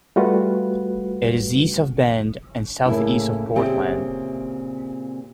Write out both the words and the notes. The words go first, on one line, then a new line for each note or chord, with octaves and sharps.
It is east of Bend and southeast of Portland.
G3 A3 F4 F#4 B4 F#5
A2 C#3 A#3 E4
A#2 C#3 C4 G4 E5